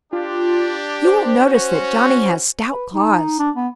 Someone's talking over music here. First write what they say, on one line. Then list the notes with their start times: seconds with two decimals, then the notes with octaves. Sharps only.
You will notice that Johnny has stout claws.
0.13 D4 F4 G4
1.05 C5
1.46 C#4 F#4 C5
2.71 B4
2.94 D#4
3.39 D4
3.56 B3